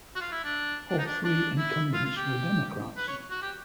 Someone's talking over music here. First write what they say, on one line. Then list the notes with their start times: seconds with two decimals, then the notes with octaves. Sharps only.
All three incumbents were Democrats.
0.15 F#4
0.21 F4
0.31 E4
0.44 D4
0.89 D4
0.98 D#4
1.06 D4
1.24 D4
1.58 E4
1.93 F4
2.05 F4
2.16 G4
2.97 B4
3.08 C#5
3.30 F#4
3.42 G4